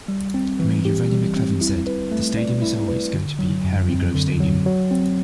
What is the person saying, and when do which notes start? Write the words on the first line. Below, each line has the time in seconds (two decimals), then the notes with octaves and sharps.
Mayor Randy McClement said, The stadium is always going to be Harry Grove Stadium.
0.08 G3
0.34 C4
0.60 E3
0.85 G4
1.10 G3
1.36 C4
1.61 E4
1.87 B4
2.11 A3
2.37 D5
2.62 E4
2.88 B4
3.13 D3
3.39 F#3
3.64 F#2
3.89 C4
4.15 D3
4.40 F#3
4.66 F#3
4.91 C4